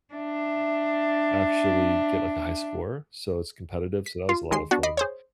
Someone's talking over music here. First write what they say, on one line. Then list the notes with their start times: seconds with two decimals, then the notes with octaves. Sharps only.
actually get, like, a high score, so it's competitive, so that was a lotta fun.
0.14 D4 E5
4.06 B6
4.29 F4
4.51 D#2 G#3 C6 C7
4.71 B3 D4 F#4
4.83 D#5 B5 D6 C7
4.97 G#4 C5 C#5